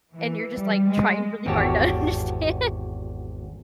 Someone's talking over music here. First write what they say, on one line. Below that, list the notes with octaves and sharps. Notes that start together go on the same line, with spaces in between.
and you're just, like, trying really hard to understand.
E3
G3
G#3
G#1 E2 F#4 G4 C#5 A5